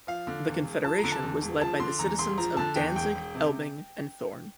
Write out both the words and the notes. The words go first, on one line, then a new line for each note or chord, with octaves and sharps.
The Confederation was led by the citizens of Danzig, Elbing, and Thorn.
F3 F5
D3
E2
E1
F3 A5
A#5
D3
A5
E2
E1
F3 A5
D3 C6
E2 A#5
E1 C6
F3 A#5
D3 A5
E2 G5
E1 G5
E1
C3